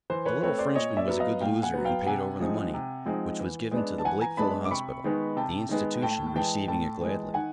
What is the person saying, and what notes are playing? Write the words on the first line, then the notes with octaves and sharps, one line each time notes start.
The little Frenchman was a good loser, and paid over the money, which was given to the Blakeville Hospital, the institution receiving it gladly.
E3 C5
B4 C#5
A3 C4 B4 C#5
C5 D5
A#2 C#5 D#5
D5 E5
F#3 B3
D#5 F5
A#2 F5 G5
F#5 G#5
F#3 B3
F5 G5
C3 F#5 G#5
F3 G#3 C4 D#4
C3
F3 G#3 C4 D#4
E3
G#3 B3 D4
A5
E3 F#5 G#5
G#5 A#5
G#3 B3 D4 A5 B5
D6
C3 B5 C#6
D#3 G#3 B3
C3 G5 A5
D#3 G#3 B3
A2 G5 A5
E3 G#3 G5 A5
A2 G5 A5
E3 G#3
D#3 F#5 G#5